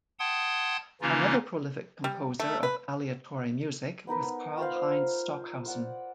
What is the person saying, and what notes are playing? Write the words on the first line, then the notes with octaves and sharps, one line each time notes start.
Another prolific composer of aleatory music was Karlheinz Stockhausen.
F#5 G5 A5 C6 D#6 G#6
C#3 E3 A#3 C#4 D#4 F4
G3
A3
B4
B3 D#4 A#4 B4
F4 C5 F5
D5 F#5 E6